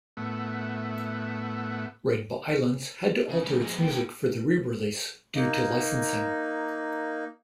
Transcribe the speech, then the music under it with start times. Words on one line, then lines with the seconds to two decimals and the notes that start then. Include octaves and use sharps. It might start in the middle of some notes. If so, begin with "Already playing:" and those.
"Rainbow Islands" had to alter its music for the re-release due to licensing.
0.17 A2 A3 B3 E5 F#5
3.29 C#3
3.44 C#3 G3
3.61 F2 G#3
3.77 B3 G4
3.90 E4 G4
5.35 A#3 D#4